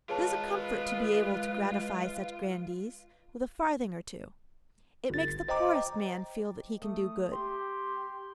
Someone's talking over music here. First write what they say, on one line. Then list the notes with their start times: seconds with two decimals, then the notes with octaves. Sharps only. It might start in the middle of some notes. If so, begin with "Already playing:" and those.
It is a comfort to be able to gratify such grandees with a farthing or two; it makes the poorest man feel that he can do good.
0.09 G#3 F4 G#4 A#4 B4 C#5 A5
5.10 G1 A6
5.49 C5 D#5 G5 A#5 D6
6.82 A3 D#6
7.32 G4 C6